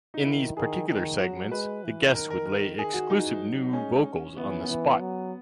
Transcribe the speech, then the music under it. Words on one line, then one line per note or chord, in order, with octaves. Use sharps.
In these particular segments, the guests would lay exclusive new vocals on the spot.
D#4
D#3 E4
D#3 G#4
D#3
F#3 F#4
G#3 B4
E3
D#3 A#4
A#4
A#4
D#3 G#4
F#4
E3 D#4
F#3
G#3 C#4
E3 B3
C#4
E3 B3
F#3